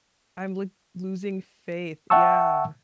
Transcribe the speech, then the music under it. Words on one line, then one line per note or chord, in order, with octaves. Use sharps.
I'm, like, losing faith yeah.
E5 F#5 G5 A5 C#6 E6